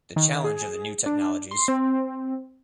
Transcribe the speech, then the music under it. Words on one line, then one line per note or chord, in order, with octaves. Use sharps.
The Challenge of the New Technologies.
D#3
G#4
D4
C6
C4